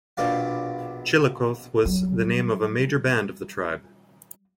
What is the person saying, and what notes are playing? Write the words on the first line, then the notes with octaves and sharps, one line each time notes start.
"Chillicothe" was also the name of a major band of the tribe.
A#1 B2 D5 F5
F#3 G3